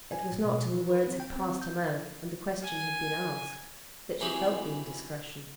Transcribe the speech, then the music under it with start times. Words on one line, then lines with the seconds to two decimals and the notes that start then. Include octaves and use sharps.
It was not till the words had passed her mouth and the question had been asked that she felt the indiscretion.
0.12 G#5
0.32 A2
0.44 B2
0.74 E3
0.90 B4
1.08 C4
1.20 G5
1.36 C4
1.61 G6
2.63 G#5
4.20 E3 F#3 C4 E4 G4 G#4